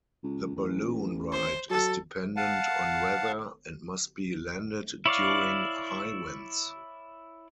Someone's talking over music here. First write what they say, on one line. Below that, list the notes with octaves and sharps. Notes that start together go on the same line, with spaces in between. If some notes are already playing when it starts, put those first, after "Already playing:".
The balloon ride is dependent on weather and must be landed during high winds.
C#2
A1
C5
F#3 A4
F5 F#5 A5
E4 C#5 D5 F5